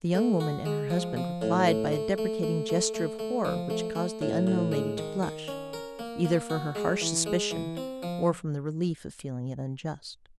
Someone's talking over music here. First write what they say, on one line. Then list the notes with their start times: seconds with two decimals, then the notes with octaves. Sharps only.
The young woman and her husband replied by a deprecating gesture of horror which caused the unknown lady to blush, either for her harsh suspicion or from the relief of feeling it unjust.
0.14 A3
0.40 F#4
0.65 G#3
0.90 F3
1.17 F3
1.42 A2
1.67 A3
1.92 A3
2.18 A3
2.43 A3
2.69 A3
2.94 A3
3.19 A3
3.45 F3
3.70 A3
3.95 A3
4.21 A2
4.47 A2
4.72 G#3
4.98 D#3
5.23 D#3
5.48 C#4
5.73 A#4
5.99 A#3
6.25 A#3
6.50 F#4
6.75 G#3
7.01 E3
7.26 G#3
7.51 E3
7.77 C4
8.03 F3